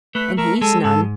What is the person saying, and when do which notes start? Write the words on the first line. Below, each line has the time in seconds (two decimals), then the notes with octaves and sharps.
And he's none.
0.15 A3 B4
0.38 A3 A#4
0.61 G#3 A4
0.84 G#2 A4